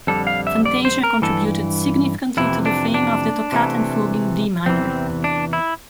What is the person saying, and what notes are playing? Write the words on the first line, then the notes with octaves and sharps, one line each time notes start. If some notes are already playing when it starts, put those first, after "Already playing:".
"Fantasia" contributed significantly to the fame of the Toccata and Fugue in D minor.
F2 D3 G3 A4
F5
E5
D5
C5
A#4
G2 E3 A4
F2 C3 E3 E4
D4
D4
C3 E3 A3
E2 C3 E3 C4
D4
E4